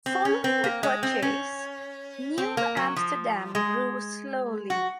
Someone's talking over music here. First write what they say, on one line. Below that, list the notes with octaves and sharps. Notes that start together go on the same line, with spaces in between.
Following the purchase, New Amsterdam grew slowly.
C4
C#4
C4
A#3
G#3
C4
C#4
C4
A#3
F#3
F3
G#3
F#4